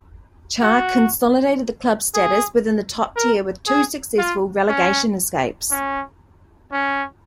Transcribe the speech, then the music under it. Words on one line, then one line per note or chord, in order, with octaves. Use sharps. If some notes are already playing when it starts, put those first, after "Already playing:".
Cha consolidated the club's status within the top tier with two successful relegation escapes.
F#4
G#4
A#4
G#4
F4
C#4
C#4
C#4